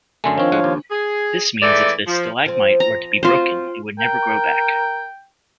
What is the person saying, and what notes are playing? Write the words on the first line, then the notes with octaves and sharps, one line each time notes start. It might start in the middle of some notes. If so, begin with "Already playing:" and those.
This means if the stalagmite were to be broken it would never grow back.
F#2 D3 A3 G#5 C6
D#3 F3 C4 D4 C#5 F5
A2 G#3 F#5
D#2
G#4
G#2 E3 A3 D5
F3
F3 C4
A#5
F3 C4 F4 F#4 C5
A#4 G5